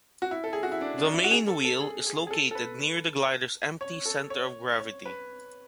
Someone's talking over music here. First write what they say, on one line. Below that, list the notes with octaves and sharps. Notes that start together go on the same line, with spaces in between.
The main wheel is located near the glider's empty centre of gravity.
F#4
E4
A4
G#4
F#4
E4
D4
D4
E4
F#4
G#4
A4
A4
G#4
G#4
G#4
A4
A4
B4
C#5
A4
C#5
C#5
B4